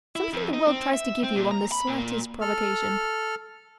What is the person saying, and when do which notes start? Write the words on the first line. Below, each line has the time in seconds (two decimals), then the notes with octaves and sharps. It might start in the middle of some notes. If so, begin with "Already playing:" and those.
Something the world tries to give you on the slightest provocation.
0.16 E4
0.33 F2
0.53 D#4
0.68 C4
0.94 E5
1.24 C4
1.36 A#2
1.51 A#5
1.72 B5
1.87 A#2
2.41 A4 F6